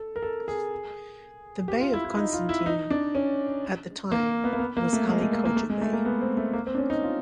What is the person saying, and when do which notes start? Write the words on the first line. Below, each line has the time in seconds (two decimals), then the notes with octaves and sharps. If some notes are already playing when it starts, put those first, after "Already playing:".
The Bey of Constantine at the time was Ali Khodja Bey.
Already playing: A4
0.16 A#4
0.23 A4
0.48 G#4
1.68 G4
1.80 F4
1.93 E4
2.05 E4
2.17 D#4
2.33 F4
2.49 E4
2.66 D#4
2.90 D4
3.15 C#4
4.12 A#3
4.44 B3
4.53 A#3
4.59 B3
4.77 A#3
4.93 A3
5.09 G#3
5.21 A3
5.32 A#3
5.45 A#3
5.56 A3
5.70 G#3
5.81 A3
5.93 A#3
6.05 B3
6.21 C4
6.37 A3
6.53 A#3
6.67 C4
6.74 D4
6.78 C#4
6.90 D#4
7.03 F4